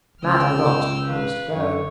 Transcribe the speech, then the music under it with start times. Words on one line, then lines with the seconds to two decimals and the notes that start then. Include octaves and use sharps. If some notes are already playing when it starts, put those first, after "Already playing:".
"Mad or not, I must go."
0.23 C#2 G5 E6 F6
1.07 B4 F5
1.54 F#2 C#5